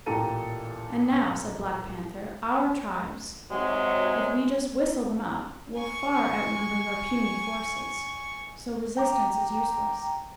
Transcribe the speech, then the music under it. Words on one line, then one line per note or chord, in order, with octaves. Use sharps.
'And now,' said Black Panther, 'our tribes, if we just whistle them up, will far outnumber your puny forces; so resistance is useless.
A1 A#2 G4 A4 A#5 D#7
G#2 C3 F#3 G#3
G#5 C#6
G5 A#5 D6